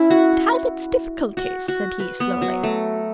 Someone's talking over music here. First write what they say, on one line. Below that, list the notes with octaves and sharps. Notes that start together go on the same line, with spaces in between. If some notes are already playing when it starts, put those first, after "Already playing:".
"It has its difficulties," said he slowly.
Already playing: C#4 E4
F#4
F#4
F#4
B4
B3
F#3
A3